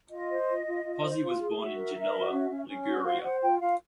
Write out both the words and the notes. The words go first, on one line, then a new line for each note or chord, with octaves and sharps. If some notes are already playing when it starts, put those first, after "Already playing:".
Pozzi was born in Genoa, Liguria.
F4 D#5
C5
F4
F4
F4
C5
F4
G#4
F#4 E5
A#4
A#4
F#4
C#4
C#4
C#4
F#4
C5 F5
C5 F#5
F4 G5
F4 F5